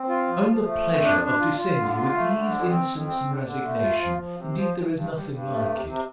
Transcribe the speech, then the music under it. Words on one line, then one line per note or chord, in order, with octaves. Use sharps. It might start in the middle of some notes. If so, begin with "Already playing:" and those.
O the pleasure of descending with ease, innocence, and resignation!--Indeed, there is nothing like it!
Already playing: C4
F4
F3
F3
A3
F2
D4
D4
F4
F4
D3
F4
A3
D3
F2
C4
F2
C4
D3
D3
A3
F4
F3
F3
C3
F3
G2
G2
G2
G2
A3
C3
C3